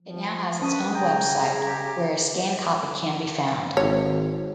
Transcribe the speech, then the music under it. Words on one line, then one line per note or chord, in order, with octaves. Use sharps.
It now has its own website, where a scanned copy can be found.
F3
C#4 D4 A#4 B4 C#6 D#6
C#3 G5 G#5 A#5
G4
G#1 C#5